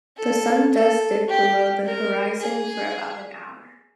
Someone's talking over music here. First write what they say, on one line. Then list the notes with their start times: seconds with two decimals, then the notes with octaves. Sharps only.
The sun does dip below the horizon for about an hour.
0.17 A4
0.72 A4
1.29 G4
1.85 A#4
2.40 G#4